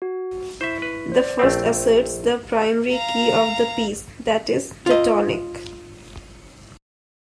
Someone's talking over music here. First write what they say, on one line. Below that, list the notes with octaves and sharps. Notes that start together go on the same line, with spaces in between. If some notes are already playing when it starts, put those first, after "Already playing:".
The first asserts the primary key of the piece, that is, the tonic.
F#4
E4 C5 E5 C#6 B6
B4
C5 D5
A#1 A3 C4 C5 G5
F5 A#5
F4 D#5